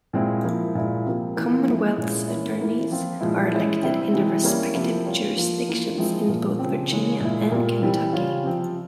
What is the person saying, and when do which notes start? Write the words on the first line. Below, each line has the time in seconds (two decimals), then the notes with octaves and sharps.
Commonwealth's attorneys are elected in their respective jurisdictions in both Virginia and Kentucky.
0.13 A#2 G#3 C4 E4
0.44 F3 A#3 E4
0.75 A#2 G#3 E4
1.06 C3 F3 A#3
1.36 E3 A#3 F4
1.67 F3 G#3 E4
1.98 A#2 G#3 C#4 E4
2.28 E3 A#3 C#4 E4
2.59 E3 A#3 E4
2.90 F3 C4 F4
3.21 A#2 F3 G#3 E4
3.52 E3 G#3 C#4 E4
3.83 C3 G3 C4 E4
4.13 C3 E3 G#3 E4
4.43 G3 A#3 C#4 E4
4.75 C3 F3 A#3 E4
5.05 G3 C#4 F4
5.36 F3 A#3 F4
5.67 E3 A#3 F4
5.98 F3 G#3 C4 E4
6.28 A#2 F3 A#3 F4
6.59 C#3 F3 C4
6.91 C#3 E3 G#3 C#4
7.20 A#2 G#3 E4
7.51 A#2 G3 A#3 F4
7.82 C3 E3 G3 C4
8.13 C#3 G3 C#4 F4
8.44 C3 F3 C4